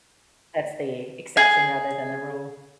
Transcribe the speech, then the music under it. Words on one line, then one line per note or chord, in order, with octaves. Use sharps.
that's the exception rather than the rule.
G#4